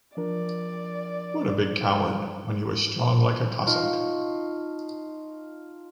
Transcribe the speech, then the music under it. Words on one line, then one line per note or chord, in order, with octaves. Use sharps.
What a big coward, when he was strong like a Cossack!
F3 D4 A#4 D5
D#4 F4 A5 C#6